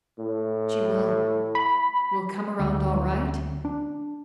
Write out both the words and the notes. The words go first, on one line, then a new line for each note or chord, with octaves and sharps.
"She will--will come around all right?"
A2
B5
D2
D4